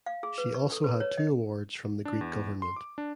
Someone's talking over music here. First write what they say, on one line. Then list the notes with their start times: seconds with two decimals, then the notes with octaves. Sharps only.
She also had two awards from the Greek government.
0.06 F5
0.23 G#4
0.38 B4
0.54 C#6
0.72 A4
0.84 B4
1.00 C#5
1.17 D#5
2.05 D4
2.21 E2
2.62 C6
2.76 D6
2.98 D4